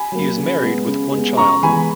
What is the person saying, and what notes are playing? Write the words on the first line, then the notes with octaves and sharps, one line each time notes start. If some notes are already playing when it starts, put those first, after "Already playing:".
He is married with one child.
Already playing: G#5 B5
F#3 A#3
C#3
G#3 B3
C#3
G#3
B3
C#3 A#5 C#6
E3 G#3 B3 G#5 B5